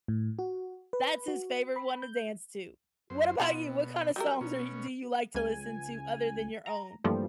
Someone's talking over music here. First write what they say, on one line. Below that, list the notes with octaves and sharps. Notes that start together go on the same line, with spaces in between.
That's his favorite one to dance to. What about you? What kinda songs are y do you like to listen to, other than your own?
A2
F#4
B4
F#4
B5
G6
F#2 C5
B2 B3 D#4 F4
F#3 G3 A#4 E5 G5
B2 C#4
C#2 G#5
A#5
G2 E3 F3 G3 A3 A#3